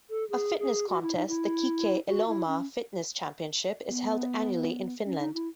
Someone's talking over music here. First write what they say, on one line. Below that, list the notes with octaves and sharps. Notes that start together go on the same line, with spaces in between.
A fitness contest, the Kike Elomaa Fitness Championship, is held annually in Finland.
A4
G#4
G#4
F#4
E4
D#4
E4
F#4
E4
C#4
B3
C#4
D#4
E4